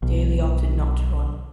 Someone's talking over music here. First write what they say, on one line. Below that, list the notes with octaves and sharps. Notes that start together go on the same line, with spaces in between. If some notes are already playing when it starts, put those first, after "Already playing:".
Daley opted not to run.
B1